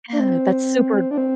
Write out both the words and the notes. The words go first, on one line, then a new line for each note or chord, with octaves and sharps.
Yeah, that's super
D4
C4
D4
C4